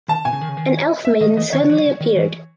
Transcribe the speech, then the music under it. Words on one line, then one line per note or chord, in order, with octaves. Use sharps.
An elf maiden suddenly appeared.
D#3 A5
B2 G#5
C#3
D#3
C#3
D#3
C#5
D#5
E5
D#3 D#5
E3 D#5
D#3 C#5
C#3
E3
F#3
C#3
D#3
E3